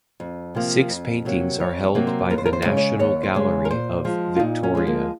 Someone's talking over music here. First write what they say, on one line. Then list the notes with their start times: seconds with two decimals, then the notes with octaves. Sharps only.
Six paintings are held by the National Gallery of Victoria.
0.20 F2
0.55 C3 F3 A#3
0.90 F2
1.25 C3 F#3 A#3
1.59 F2 C#5
1.83 C#5
1.95 C3 F#3 A#3
2.07 C5
2.30 D#2 A#4
2.38 C5
2.46 A#4
2.53 C5
2.65 C#3 G#3
2.77 C#5
2.99 D#2 C#5
3.23 C5
3.35 C#3 G#3
3.65 A#4
3.71 A#2 C5
4.04 F3 G#3
4.36 F4
4.39 A#2 D#4
4.63 C#4
4.75 F3 G#3
4.87 A#3